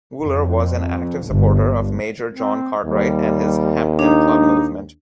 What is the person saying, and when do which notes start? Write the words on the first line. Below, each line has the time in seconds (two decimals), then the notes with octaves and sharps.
Wooler was an active supporter of Major John Cartwright and his Hampden Club movement.
0.23 F2
1.27 G1
2.32 C4
2.85 D#2 G3
3.99 D4 D#4